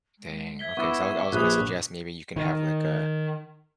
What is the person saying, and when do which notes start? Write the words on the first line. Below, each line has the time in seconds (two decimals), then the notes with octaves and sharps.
Dang, okay. So, I I was gonna suggest maybe you can have, like, a
0.18 G#3
0.59 E5 G#6 B6 G7
0.77 B3 E4 C#6 D6 E6
1.33 A#1 G4 G#4 B4 D#6 F#6
2.36 D#3